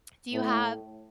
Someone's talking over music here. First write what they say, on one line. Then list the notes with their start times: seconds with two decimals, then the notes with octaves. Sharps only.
Do you have
0.33 A2